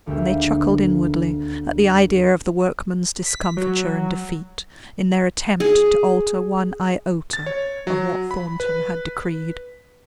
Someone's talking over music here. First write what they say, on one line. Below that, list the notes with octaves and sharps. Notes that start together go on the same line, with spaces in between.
And they chuckled inwardly at the idea of the workmen's discomfiture and defeat, in their attempt to alter one iota of what Thornton had decreed.
D#1 D2 G#3 A#3 E5 G5
B6
F#3
G#4
A6
C#5
F#3
B5
B4